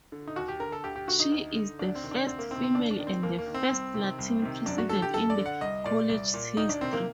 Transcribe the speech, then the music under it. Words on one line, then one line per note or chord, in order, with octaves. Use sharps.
She is the first female and first Latina president in the college’s history.
D3
D#4
D#2 F#4
G4
D3 A#4
A4
D2 G4
G4
D3 F#4
D#4
D2
D3
D2 D4
C4
C3 D#3
D4
D2 C4
A#3
C3 D#3 C4
C4
D#2 D4
D4
D#3
C4
D#2 A#3
A#3
D#3
C4
C2
C3 D#3
C2
C3 D#3
F#2 D4
F#4
D3 A4
G4
F#2 A4
D5
D3
F#5
C2 D#5
A#2 D5
C2
A#2
D2 D#4
D4
C3 D#3 C4
A#3